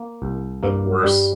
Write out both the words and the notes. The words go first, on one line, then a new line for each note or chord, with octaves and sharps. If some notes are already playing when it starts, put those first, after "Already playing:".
That's worse.
Already playing: A#3
C2
G2 A#3
G2 G3